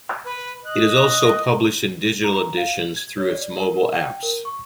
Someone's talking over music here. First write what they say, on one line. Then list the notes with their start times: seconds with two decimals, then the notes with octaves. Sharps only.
It is also published in digital editions through its mobile apps.
0.25 B4
0.65 D#5 F#6
2.24 A#5
2.57 F5
2.81 F#7
2.96 G#6
3.18 C#5
3.34 D5
3.56 A#4
3.74 A#4
3.94 G5
4.23 A#4
4.45 C#6